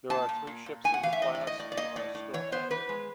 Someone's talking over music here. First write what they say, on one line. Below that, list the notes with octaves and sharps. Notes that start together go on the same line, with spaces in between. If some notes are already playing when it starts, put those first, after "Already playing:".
There are three ships in the class and are still active.
A#2 A5
A#2
A#2
A#2
A2 G#5
F#5
E3 F5
E5
A2 D#5
D5
A2
D#5
A2 D5
D5
A#3 D#5
A2 D5
A2
E3 C#5
B3 C5
E3 B4
G#3